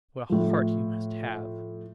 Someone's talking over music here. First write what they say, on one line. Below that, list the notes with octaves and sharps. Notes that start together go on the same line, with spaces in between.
'What a heart you must have!'
A2 F3